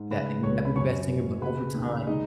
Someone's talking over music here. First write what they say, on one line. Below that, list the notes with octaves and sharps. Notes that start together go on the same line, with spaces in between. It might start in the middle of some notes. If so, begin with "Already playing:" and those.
that they may not be the best singer, but over time,
Already playing: G#2
C#3 B4 B5
C#2 C#5 C#6
B5
F#2 C#5 C#6
F#1
C#3 B4 B5
D#2
G#3 D#4 D#5